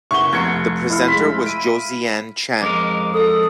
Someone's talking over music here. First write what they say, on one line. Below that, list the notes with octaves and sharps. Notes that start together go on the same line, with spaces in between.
The presenter was Josiane Chen.
F#1 F#5 C#6 G7
F1 G#6 C#7
E4 F5
G#3 B5 C6
D7 D#7
F2 G#3 A#4 D6
A4 D#6